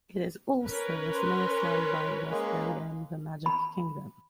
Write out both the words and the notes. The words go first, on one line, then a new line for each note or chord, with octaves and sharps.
It is also the smallest land by guest area in the Magic Kingdom.
C#4 A#4 B4
C5
G#3 A#3
B5